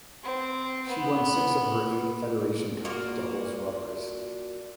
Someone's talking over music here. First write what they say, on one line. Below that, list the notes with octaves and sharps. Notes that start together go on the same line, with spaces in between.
She won six of her eight Federation Cup doubles rubbers.
C4
B3
A#3 D4 F4 F#4